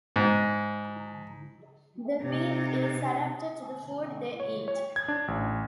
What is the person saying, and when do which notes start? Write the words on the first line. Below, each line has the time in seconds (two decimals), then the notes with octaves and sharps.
The beak is adapted to the food they eat.
0.16 G#2
2.22 C3 D#4
4.40 C#5
4.68 C#5
4.96 G#6
5.08 D4
5.28 A1